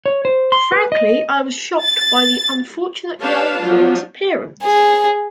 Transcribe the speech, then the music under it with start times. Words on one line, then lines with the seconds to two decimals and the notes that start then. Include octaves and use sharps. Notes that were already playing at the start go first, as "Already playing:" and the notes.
Frankly, I was shocked by the unfortunate young prune's appearance.
0.06 C#5
0.25 C5
0.52 C6
0.72 B4
0.92 D#5
1.81 A6
3.20 D4 G4 B4 C#5 F5 A5
3.59 F3 F#3 D4 F4
4.64 G#4